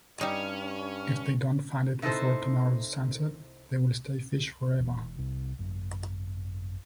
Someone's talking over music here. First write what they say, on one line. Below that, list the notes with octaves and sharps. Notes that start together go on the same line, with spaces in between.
If they don't find it before tomorrow's sunset, they will stay fish forever.
G2 G3 C#4 D#4
C3 D#4 E4 A4 C5
E1 E2
C2 C3
G#1 F#2